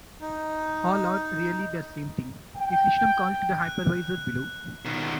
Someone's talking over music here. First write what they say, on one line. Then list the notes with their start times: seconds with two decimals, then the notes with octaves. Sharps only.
All are really the same thing, a system call to the hypervisor below.
0.21 D#4
2.56 G5
3.62 F#6
4.85 B2 D#3